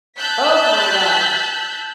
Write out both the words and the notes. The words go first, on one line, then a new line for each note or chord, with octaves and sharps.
Oh my gosh.
A5 E6 F#6 G6 B6